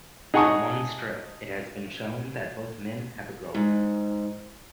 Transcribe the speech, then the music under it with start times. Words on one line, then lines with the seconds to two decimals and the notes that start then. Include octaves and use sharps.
In one strip, it has been shown that both men have a girlfriend.
0.34 D#4 G#4 F#5 A5 C#6 D#6
3.54 G#2